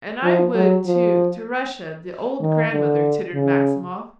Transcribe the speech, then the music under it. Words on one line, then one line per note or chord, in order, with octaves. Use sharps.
"And I would, too ... to Russia, the old grandmother!" tittered Maximov.
F3
F#3
F3
D#3
D3
C#3